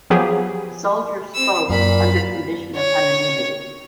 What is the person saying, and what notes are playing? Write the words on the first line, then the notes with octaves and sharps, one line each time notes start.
The soldiers spoke under condition of anonymity.
F3 F#3 B3 G4 G#4
C4 E6
F#2 A#2 F5 B5
C#5